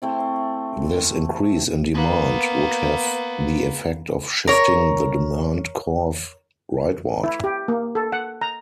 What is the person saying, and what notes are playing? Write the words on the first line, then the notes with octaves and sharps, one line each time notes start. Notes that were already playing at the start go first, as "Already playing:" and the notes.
This increase in demand would have the effect of shifting the demand curve rightward.
A3 C4 E4
A#3 B3
A#4 C#5
E4
G4
A#3
A4
F#5
A#5